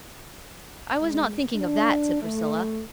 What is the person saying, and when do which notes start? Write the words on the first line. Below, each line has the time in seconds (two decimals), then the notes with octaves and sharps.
"I was not thinking of that," said Priscilla.
1.01 G#3
1.54 D4
2.21 A3